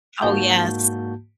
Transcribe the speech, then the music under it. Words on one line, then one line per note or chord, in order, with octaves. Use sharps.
Oh, yes.
G#2 A#3 F#4 A5 G6